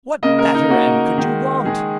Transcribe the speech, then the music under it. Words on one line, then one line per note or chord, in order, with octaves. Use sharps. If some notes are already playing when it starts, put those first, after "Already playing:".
What better end could you want?
C#3 A#3 D#5
A#4
D#4
C#3 A#3 F#4
D#3 G#3
D#3 G#3 G#4